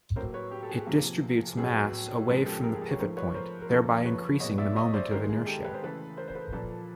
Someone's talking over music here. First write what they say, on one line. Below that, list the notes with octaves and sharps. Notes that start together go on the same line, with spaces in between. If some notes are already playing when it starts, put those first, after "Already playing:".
It distributes mass away from the pivot point, thereby increasing the moment of inertia.
A2 F#3 A#3 A#4 C5
B4 C#5
G4
A4
G#4
C3 F3 A#3
A2 F#3 B3 G#4
C#3 F3 G#3 B3 G#4 A#4
G4 A4
G#4 A#4
G#4
G4 A4
C#5
G#2 F3 A3 A#4 C5
B4 C#5
A#4 C5
A#4
F2 C#3 F3 A#3 A4 B4
B4 C#5
A#2 G3 B3 C#5 D#5
D5 E5
C#5 D#5
C5 D5
G#2 D#3 G#3 A#4 C5
G#4
G4 A4
B4
C5
C#3 E3 A3 A4 B4
A#4 C5
C5
A4 B4
A#2 F3 A#3 A4 B4